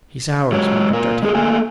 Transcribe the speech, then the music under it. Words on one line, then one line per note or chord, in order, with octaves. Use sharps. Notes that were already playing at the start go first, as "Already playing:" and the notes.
"He's ours," muttered D'Artagnan.
F#3 G#3 C#5
A#2 A#4
G#3 A#3 F4 G#4 A4
A3 A#3 G#5